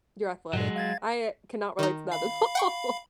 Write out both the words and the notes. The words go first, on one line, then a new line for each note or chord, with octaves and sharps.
You're athletic, I cannot relate to that at all.
G2 A#2 F#3 G#3
F5 G#6 A6
D#3 D#4
F5 B5
F#5 G5 C#6